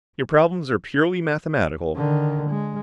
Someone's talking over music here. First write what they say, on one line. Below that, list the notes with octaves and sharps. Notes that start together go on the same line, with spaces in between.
Your problems are purely mathematical.
D3 D#3
G#3